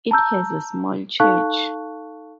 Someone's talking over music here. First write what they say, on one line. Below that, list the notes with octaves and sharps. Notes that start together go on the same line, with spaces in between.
It has a small church.
A5 A#5 E6 G6
D#4 A4 F5 A5 C#6 F#6